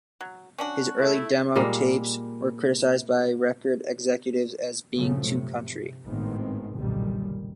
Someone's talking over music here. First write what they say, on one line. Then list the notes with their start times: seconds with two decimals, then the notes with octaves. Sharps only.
His early demo tapes were criticized by record executives as being too country.
0.21 F#3
0.58 C#4 D4 F#4
0.99 A3 E4
1.55 A#2 G3 G#3 A#3
4.94 G2 A#2 C#3 F3 F#3 A3
5.29 C3
6.05 G#1 A2 D#3 G#3 B3 C4
6.76 F#1 B1 A#2 D3 D#3 G3